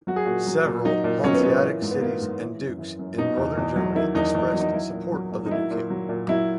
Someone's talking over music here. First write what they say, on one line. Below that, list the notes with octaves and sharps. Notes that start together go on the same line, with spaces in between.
Several Hanseatic cities and dukes in Northern Germany expressed support of the new king.
F#3 F#4
G#4
A#2 F#4
F#3
A#2
F#3 D#4
A#2
F#3 C#4
B3
A#2 C#4
E3
G#2
B3
E3 A#3
G#2
E3
F#2
E3
F#2
B2 D#4
E2
E2
F#3
D#3 E4
E2 D#4
E2
F#3
D#4
F#3 E4
A#2
F#3
A#2
D#4
F#3 E4
A#2
F#3
A#2
F#3 E4